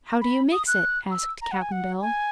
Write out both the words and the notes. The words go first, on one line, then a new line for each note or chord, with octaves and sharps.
"How do you mix it?" asked Cap'n Bill.
B5
D#6
F#6
E6
A#5
F#5
G#5
F#5
G#5